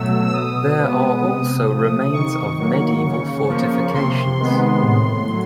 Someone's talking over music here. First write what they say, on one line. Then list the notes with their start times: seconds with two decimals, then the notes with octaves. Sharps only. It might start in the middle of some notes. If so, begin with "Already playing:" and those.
There are also remains of medieval fortifications.
Already playing: B2 F#3 A3 E6
0.27 E6
0.33 B2 D#6
0.79 G#3 B3
1.24 C3
1.69 F3 A3
2.13 D#3 C#6
2.58 F#3 A#3
3.04 C#3
3.48 F3 A#3
3.94 C3 C6
4.39 D#3 G#3 B3
4.83 A2
5.29 F#3